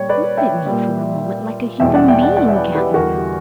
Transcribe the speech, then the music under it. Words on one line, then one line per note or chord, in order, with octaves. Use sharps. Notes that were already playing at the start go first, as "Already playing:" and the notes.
Look at me for a moment like a human being, can't you?
Already playing: A#2 G3 C#5
B4 D5
E5 G5
A#2 G3
E2 B2 G3 E5 G5
D5 F#5
E5 G5
D5 F#5
D5 F#5
E5
B4 D5
G4 B4
E2 D3 G3 F#4 A#4
G4